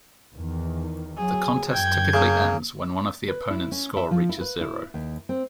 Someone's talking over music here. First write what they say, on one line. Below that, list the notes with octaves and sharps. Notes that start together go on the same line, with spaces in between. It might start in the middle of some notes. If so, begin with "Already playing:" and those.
The contest typically ends when one of the opponents' score reaches zero.
E2 D#3
F#3 G#4
F#2 G5 G6 G#6
C#3 A#3
B4
E4
C#4
E5
F3
E4
B4
E4
D#2
C4